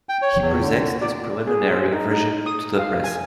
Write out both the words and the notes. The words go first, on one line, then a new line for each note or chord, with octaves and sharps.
He presents this preliminary version to the press.
G5
C#5
E2
D3
D5
G#4
C5
D#4
D#4
D#6
F5
G#5